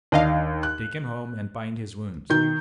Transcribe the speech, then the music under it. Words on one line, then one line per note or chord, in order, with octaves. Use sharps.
Take him home and bind his wounds.
D#2 D4 D#5 F5
F#6
B2 D#3 G6